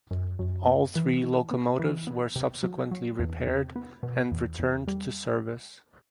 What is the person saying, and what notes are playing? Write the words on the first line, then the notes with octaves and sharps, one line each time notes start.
All three locomotives were subsequently repaired and returned to service.
F#2
F#2
B3
E3
E3
B3
E3
B3
C3
F#3
F#3
E2
C3
B3
B2
E2
E2
G3